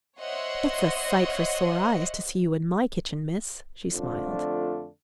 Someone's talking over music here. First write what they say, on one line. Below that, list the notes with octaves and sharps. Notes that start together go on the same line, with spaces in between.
"It's a sight for sore eyes to see you in my kitchen, miss," she smiled.
C5 C#5 D#5 E5 F#5 C6
F2 D3 A3 D4 F4